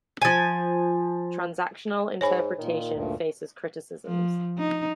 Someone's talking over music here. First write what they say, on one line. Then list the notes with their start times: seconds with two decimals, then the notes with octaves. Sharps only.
Transactional Interpretation faces criticisms.
0.22 F3 G#5
2.21 G#2 C#5 G#5 B5
2.59 A#2 D#3
2.94 D2 G2 A#2
4.07 F3
4.58 D#4